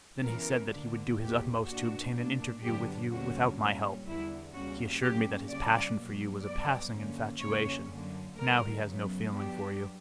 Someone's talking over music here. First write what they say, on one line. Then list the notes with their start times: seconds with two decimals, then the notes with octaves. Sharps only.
Then he said that he would do his utmost to obtain an interview with you without my help. He assured me that his passion for you was a passing infatuation, now he has no feeling for you.
0.23 C#3 E3 B3 A#4
0.71 D2 D3 A#3 D4
1.19 E2 B2 A#3 G4
1.67 B2 A#3 D4 F#4
2.14 A#2 A#3 D4
2.62 G2 D3 F#3 B3 D4 G4
3.10 E2 D3 G3 A#3 C#4 F#4
3.59 A#2 G3 C#4
4.06 E2 D3 G3 E4
4.53 E2 C#3 G3 A#3 C#4 F#4
5.02 A#2 F#3 A#3 C#4 G4
5.49 C#3 G3 C#4 D5
5.98 B2 F#3 A#3
6.45 G2 F#3 B3 D5
6.94 F#2 D3 A#3 C#4
7.41 E2 C#3 G3 A#3 C#4 C#5
7.89 F#2 D3 A#3
8.37 D2 D3 G3 A#4
8.85 F#2 C#3 F#3 B3
9.33 G2 F#3 B3 D4 G4